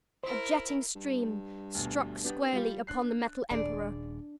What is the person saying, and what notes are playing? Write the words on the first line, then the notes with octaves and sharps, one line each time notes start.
A jetting stream struck squarely upon the Metal Emperor.
E4 A#4 C5
G2
D2 B2
B3 D4 G4
G3 F4 G4
D4 F#6 C7
D#1 D4 G#4 D5